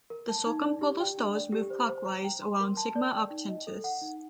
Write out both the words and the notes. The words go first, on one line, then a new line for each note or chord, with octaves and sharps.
The circumpolar stars move clockwise around Sigma Octantis.
A#4
A5
D#4
D5
G4
G5
D4
D5
G4
C5
C5
A#5
G5
C6
A#4
A5
D5
G5
D#4
D#5
A4
F#5
D#4